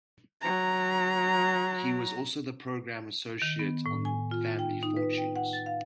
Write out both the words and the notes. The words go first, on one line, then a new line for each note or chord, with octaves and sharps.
He was also the Programme Associate on "Family Fortunes".
F#3 A#5
D#3
B3
A2
G#5
F4
G5
D#4
B4
G5
F#5
A6
F5